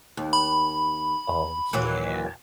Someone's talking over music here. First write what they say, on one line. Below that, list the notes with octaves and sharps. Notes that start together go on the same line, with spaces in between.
Oh, yeah.
D#2
B5
A#2 E3 F#3